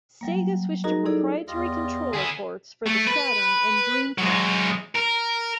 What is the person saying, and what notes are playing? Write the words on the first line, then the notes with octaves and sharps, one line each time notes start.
Sega switched to proprietary controller ports for the Saturn and Dreamcast.
F#3 G3 A#3
D#4 F#4 G#4 A#4 D#5 A#5
D#4 E4 G#4 A4 D5
E2 G3 F4 D#5
D3 E4 G#4
A3
B4
F#3 G#3
A#4